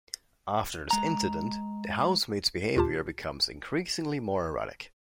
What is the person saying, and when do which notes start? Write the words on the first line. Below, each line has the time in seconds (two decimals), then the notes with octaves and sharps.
After this incident, the housemaid's behavior becomes increasingly more erratic.
0.91 G#3 A#5
2.76 D#2 A#2 F4 G4 A5